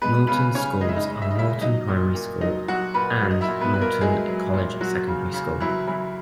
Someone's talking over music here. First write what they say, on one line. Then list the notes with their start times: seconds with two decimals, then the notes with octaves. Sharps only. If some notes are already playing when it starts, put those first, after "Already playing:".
Norton's schools are Norton Primary School, and Norton College secondary school.
0.01 G#3 B3 B4
0.27 C#3 B3 B4
0.55 C#3 C#4 C#5
0.81 G#3 D#5
0.89 E5
0.96 D#4 D#5
1.08 G#3
1.22 E5
1.31 D#5
1.35 C#3 E4 E5
1.61 F#3 D#4 D#5
1.88 A#2
2.15 A#2
2.41 F#3 D#4 D#5
2.68 F#3 F#4 F#5
2.94 A#2 B4 B5
3.21 F#3
3.31 D#5
3.41 E4 E5
3.48 A#2
3.61 B3 B4
3.74 A#2 B4
3.81 A#3 A#4
4.01 F#3 G#3 G#4
4.28 F#3
4.54 A#2
4.81 F#3 F#4
5.08 C#3
5.34 C#3
5.60 E3 F#3 E4
5.87 E3 F#3 E4